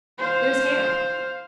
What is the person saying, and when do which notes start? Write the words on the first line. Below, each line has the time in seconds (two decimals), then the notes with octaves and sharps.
There's hair.
0.19 C5 F5